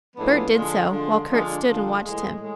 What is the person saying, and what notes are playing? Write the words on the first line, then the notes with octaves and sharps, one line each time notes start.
Bert did so, while Kurt stood and watched him.
A2 F3 G#3 B3 D4
D3 F3 G#3 D4 F4
D3 F3 G#3 D4 F4
D3 F3 G#3 D4 F4
D3 F3 G#3 D4 F4
A2 E3 G#3
A2 G#3